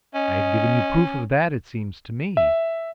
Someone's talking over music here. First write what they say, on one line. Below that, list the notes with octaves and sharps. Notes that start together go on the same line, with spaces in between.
"I have given you proof of that, it seems to me."
C#4 D#5
E5